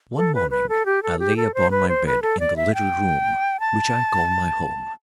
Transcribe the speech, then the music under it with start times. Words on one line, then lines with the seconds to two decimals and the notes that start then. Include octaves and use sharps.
One morning I lay upon my bed in the little room which I call my home.
0.16 A4
0.35 B4
0.51 B4
0.69 A4
0.86 G4
1.03 A4
1.19 G4
1.37 A4
1.54 C5
1.71 B4
1.89 C5
2.06 B4
2.22 A4
2.40 D5
2.56 E5
2.74 G5
3.60 A5